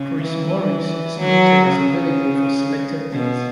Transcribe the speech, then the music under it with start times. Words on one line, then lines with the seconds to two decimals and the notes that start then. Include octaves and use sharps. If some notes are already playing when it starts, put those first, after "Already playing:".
Chris Morris is noted as available for selected dates.
Already playing: C#3
0.23 E3
1.21 F#3
1.68 C#3
3.13 B2